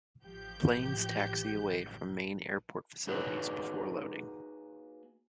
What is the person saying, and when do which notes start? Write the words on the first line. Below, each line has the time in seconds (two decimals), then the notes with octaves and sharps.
Planes taxi away from main airport facilities before loading.
0.23 A1 F3 G4 G6
3.07 A#3 D#4 F#4 G#4 B4 C#5